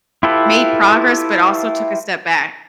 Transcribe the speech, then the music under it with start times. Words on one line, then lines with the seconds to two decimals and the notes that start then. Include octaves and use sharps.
made progress, but also took a step back.
0.23 E4 F4 G4 A4 B4